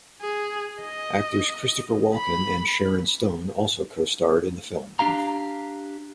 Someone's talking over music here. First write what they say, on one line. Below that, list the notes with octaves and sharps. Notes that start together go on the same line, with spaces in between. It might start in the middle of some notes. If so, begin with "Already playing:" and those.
Actors Christopher Walken and Sharon Stone also co-starred in the film.
G#4
D#5
B5
D4 G4 F5 A#5